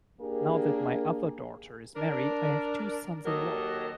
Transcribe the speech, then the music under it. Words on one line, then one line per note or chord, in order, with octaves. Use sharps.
Now that my other daughter is married I have two sons-in-law.
A#3 D4 G4 G#4 A#4
D4 A#4
D#2 F#3 G4 A4 A#4 D#5